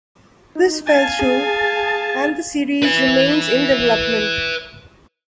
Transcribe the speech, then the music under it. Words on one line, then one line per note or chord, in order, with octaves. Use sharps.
This fell through and the series remains in development.
D#4
F5 G#5 A5
G#4 A5
B4 E5